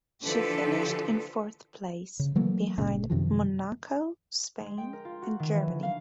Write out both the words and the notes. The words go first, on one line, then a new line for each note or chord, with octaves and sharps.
She finished in fourth place, behind Monaco, Spain and Germany.
D3 E3 F3 G4 A4 B4
C#3
E3 F#3 A3 A#3
G1 A#2 C#3
F#2 C3 D#3 F3
G#3
G5
A#4
F4
F#4
D#3
E3
D3
F5